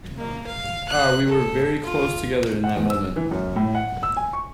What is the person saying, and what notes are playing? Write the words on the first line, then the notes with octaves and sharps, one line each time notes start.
Ah, we were very close together in that moment.
A#3
F5
F#6
A4
F4
F#5
E2
E6
E3
F#2
A2
F#5
E6
G#5
C#6